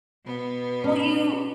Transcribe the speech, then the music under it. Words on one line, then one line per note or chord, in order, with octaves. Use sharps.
Well, you
B2 B3
C#4